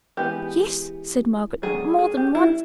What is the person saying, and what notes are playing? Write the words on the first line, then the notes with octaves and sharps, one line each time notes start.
'Yes,' said Margaret, 'more than once.
E3 G#3 B3 D#4 G4
D#3 F#3 A3 D4 G#4
G#4
G4
E4